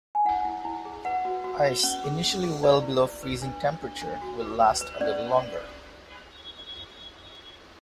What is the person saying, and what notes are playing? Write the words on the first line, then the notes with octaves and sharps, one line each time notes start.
Ice initially well below freezing temperature will last a little longer.
G#5
E4 F#5
E4
E4
G#4
B4 F#5
F#4
F#4
B4
C#4
G#4
C#4
G#4
B4 D5
E4
B4
B4
D4
D4
D4
D4
F#4
B4
B4
B4
C#4 D5